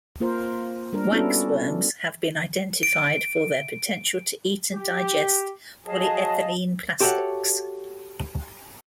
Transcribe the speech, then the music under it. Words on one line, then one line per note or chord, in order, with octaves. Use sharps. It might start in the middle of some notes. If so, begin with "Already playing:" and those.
Waxworms have been identified for their potential to eat and digest polyethylene plastics.
A#3 F4 A#4 C5
G3 D4 A#4
B3 C#4 D4 E4 F#4 A4
D7
G4
F#3 G#4 D#5 F5 A5
F#4 G4 A4 C#5 E5 F#5